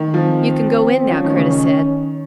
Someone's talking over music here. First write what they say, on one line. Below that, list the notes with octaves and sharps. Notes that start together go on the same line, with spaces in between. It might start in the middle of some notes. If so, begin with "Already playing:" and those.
"You can go in now," Kreta said.
Already playing: D#3
F3 C4
F3 C#4
D#3
C#3
D#3